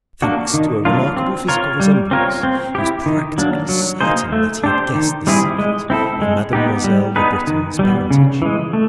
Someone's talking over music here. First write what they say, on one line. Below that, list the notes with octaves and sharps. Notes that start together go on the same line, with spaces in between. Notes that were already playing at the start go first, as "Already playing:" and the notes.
Thanks to a remarkable physical resemblance, he was practically certain that he had guessed the secret of Mademoiselle Le Breton's parentage.
A#3 D4 F#4
D#3
F#3 A#3 D4 F4
C4
F4 A#4 C#5
G3
C4 F4 A#4 C#5
C4
E4 G4
D#3
F#3 A#3 D4
F#3
A#3 D#4 G#4 C5
A3
D4 G4 C5
D#3
G3 C4 E4 G#4
G#3
C4 E4 A4
G#3
B3 D#4 G4
G3
B3 D#4 G#4 B4
D#3
G3 B3
C#3
E3 G#3
A3